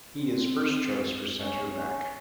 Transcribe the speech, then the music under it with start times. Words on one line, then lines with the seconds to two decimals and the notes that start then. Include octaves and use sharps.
He is first choice for centre back.
0.19 C4
1.39 C#4
1.69 C#4